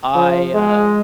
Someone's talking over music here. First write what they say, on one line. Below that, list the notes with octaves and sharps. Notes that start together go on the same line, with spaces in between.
I, uh,
F3
G#3